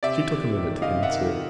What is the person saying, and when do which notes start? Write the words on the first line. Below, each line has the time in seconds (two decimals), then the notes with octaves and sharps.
She took a minute to answer.
0.03 C3 D5 E5
0.30 C3
0.57 D#3
0.82 C3 D#5 F5
1.03 E5 F#5
1.09 D#3